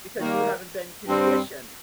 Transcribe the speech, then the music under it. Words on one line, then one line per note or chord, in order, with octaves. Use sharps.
because you haven't been conditioned.
D#3 G3 A#3
G2 G3 C4